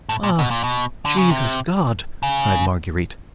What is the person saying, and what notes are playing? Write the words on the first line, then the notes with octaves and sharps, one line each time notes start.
"Ah! Jesus God!" cried Marguerite.
A2
A#2
B2
A#2
B2
D3
C#3
C3
C#3